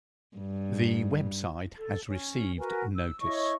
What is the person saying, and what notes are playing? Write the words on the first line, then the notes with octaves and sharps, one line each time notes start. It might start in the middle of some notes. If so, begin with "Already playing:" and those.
The web site has received notice.
G2
A4
C#4
F#4 A#4 B4 G#5
E6
E4 C#5 D#5 C#6